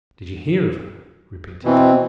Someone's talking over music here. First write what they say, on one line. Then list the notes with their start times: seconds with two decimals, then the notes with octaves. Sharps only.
"Did ye hear of her?" repeated Dick.
1.65 B2 E3 C4